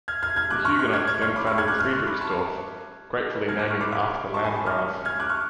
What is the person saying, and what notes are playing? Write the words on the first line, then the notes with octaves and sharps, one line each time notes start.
The Huguenots then founded Friedrichsdorf, gratefully naming it after the Landgrave.
F6 G#6
F6 G#6
F6 G#6
D6 F#6
C#6 F6
C#6 F6
F6 G#6
F6 G#6
C#6 F6
B5 D6
C#6 F6
F6 G#6
D6 F#6
C#6 F6
C#6 F6
B5 D6
A5 C#6
F6 G#6
D6 F#6
C#6 F6
B5 D6
B5 D6
A5 C#6
G#5 B5
A5 C#6
C#6 F6
F6 G#6
D6 F#6
C#6 F6